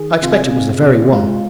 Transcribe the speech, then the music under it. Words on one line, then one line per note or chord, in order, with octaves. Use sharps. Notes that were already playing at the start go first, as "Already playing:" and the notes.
I expect it was the very one!
Already playing: D#3 G#4
C3 F4
G#4
C3
C3
G#3 F4